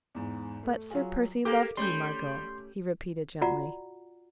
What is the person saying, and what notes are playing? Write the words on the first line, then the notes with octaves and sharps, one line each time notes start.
"But Sir Percy loved you, Margot," he repeated gently.
E2 G#2
A3
F#3 F4 G#4 G#5
A#3 G4 A4 A#4 D6
G3 A3 C#4 C6 G6
F4 F#4 D5 F#5 A#5